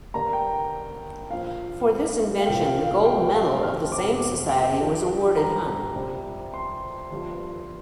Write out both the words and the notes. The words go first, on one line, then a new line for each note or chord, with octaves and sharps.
For this invention the gold medal of the same society was awarded hun.
G2 D3 A#3 D4 A#5
G5
A#1 A#2 F3 F5
F5
C2 A#2 F3 A#3 G5
F5
F5
G5
F5
F1 F2 C3 G3 C4 F6
D6
G5
G2 F3 D4
A#5
F2 C3 G3
C6
G1 G2 F3